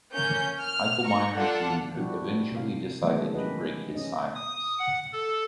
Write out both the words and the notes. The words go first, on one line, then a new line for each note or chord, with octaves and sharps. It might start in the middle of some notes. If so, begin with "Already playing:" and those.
Hilgemeier Junior eventually decided to break his silence.
A#3 C#4 G6
F6
A#5 C#6
D4 F4 A4 F#5
F3 G3 D4 E4 F#4 G4
C3 F5
D#3 E3 F#3 G#3 A3 B3
C#4 G4 B4 D#5
C#4 D#5
D#6
F#5
A4